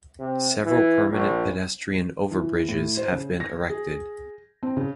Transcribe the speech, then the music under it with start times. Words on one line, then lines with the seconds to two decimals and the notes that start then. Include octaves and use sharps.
Several permanent pedestrian overbridges have been erected.
0.19 C3
0.65 E3
1.10 A#1
2.31 E3
2.69 A2
2.97 C5
3.12 C#3
3.40 A#6
3.70 G#4
4.63 C4
4.77 C#3